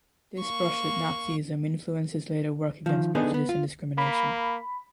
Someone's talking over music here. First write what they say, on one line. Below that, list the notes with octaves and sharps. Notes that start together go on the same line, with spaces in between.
This brush with Nazism influenced his later work against prejudice and discrimination.
A#3 C#6
D#3 F3
D3 B3 D#4 G#4
B3
F4
A#3 B5